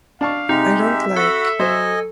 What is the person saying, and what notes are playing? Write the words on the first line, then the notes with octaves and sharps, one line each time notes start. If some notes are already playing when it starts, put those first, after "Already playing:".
I don't like...
D4 F5 A5 C#6
C3 G#3 D#4 G4
E5
F#4 A4 F#5 B5
F#3 C5 D#5 G#5